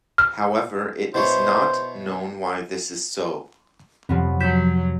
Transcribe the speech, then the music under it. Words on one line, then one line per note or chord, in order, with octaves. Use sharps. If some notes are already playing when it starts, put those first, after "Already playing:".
However, it is not known why this is so.
F6
B2 E4 C5 C#5
F2 C3 F3 F#3 B3
F#3 G6 B6 E7